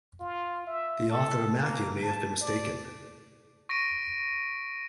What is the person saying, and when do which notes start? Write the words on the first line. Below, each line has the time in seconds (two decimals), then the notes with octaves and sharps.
The author of Matthew may have been mistaken.
0.20 F4
0.67 E5
1.10 A4
1.60 A#3
2.02 A5
2.41 D5
3.69 C#6 A#6 B6 D7 D#7